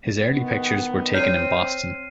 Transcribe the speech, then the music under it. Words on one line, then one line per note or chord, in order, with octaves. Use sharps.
His early pictures were taken in Boston.
D#3 B3
C4 C#5 F6 C7 D#7